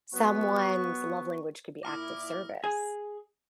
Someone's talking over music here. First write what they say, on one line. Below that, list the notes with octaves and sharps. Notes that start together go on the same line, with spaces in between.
someone's love language could be act of service,
F#3 B3 B4 C#6
A#2 E4 D6 D#6 F6 A#6
G#4